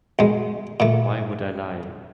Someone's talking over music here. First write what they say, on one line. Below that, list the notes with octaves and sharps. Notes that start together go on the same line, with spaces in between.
Why Would I Lie?
B1 G#3
A#2 A3